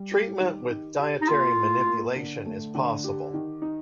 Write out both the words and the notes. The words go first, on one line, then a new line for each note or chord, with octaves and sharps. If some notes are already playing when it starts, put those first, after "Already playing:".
Treatment with dietary manipulation is possible.
Already playing: G3
G4
D#3
D#3
G4
D#4
A#3 F4
A2
A#3
D3
A3
D3
G4
D#3
D#4